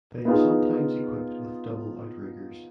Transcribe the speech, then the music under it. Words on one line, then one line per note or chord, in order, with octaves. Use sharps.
They are sometimes equipped with double outriggers.
B3 D#4 F4 G#4